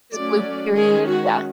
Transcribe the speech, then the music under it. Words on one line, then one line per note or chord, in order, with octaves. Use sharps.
His Blue Period, yeah.
F#3 A3 C#4 D5
D#3 G#3 C#4 G#4
F#4